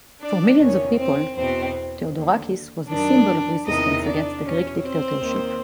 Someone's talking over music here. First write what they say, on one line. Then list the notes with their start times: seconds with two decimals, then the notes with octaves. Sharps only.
For millions of people, Theodorakis was the symbol of resistance against the Greek dictatorship.
0.20 D4 D5
0.59 E2 C3 D#3 C#4 C#5
0.97 C4 C5
1.36 E2 B2 C4 C5
2.13 D#2 D3
2.90 F#2 D#3 D4 D5
3.66 E2 C3 D#3 D#4 D#5
4.05 D4 D5
4.43 E2 B2 C#4 C#5
4.82 C4 C5
5.21 D#2 D#3